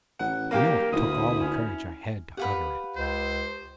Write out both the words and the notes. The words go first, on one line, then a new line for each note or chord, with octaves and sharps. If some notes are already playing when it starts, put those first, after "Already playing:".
I know it took all the courage I had to utter it.
A1 F#5
G3 A#3 G4 A#4 F5 G5
D2 E4 D#6
C#4
G4 B4 F5 F#5
C#2 C5